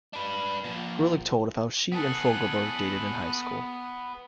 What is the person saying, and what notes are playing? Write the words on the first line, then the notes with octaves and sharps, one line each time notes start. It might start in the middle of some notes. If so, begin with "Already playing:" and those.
Greulich told of how she and Fogelberg dated in high school.
D4 B4
A#2 F3
B3 G#4 A4 F#6